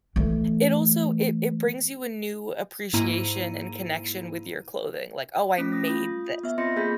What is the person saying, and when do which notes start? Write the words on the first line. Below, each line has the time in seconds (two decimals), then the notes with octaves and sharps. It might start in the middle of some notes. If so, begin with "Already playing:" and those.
It also it it brings you a new appreciation and connection with your clothing, like, oh, I made this.
0.16 E3 A3
2.93 G#2 A#3 E4 A#5 D#7
5.56 A3 C#4 B6
5.72 D#6 A#6
5.87 F4 D#6
6.43 B3 E5
6.58 C4 F4 D#5 C6 A#6 C#7
6.76 A#3 G#4 A4 B5 G6 B6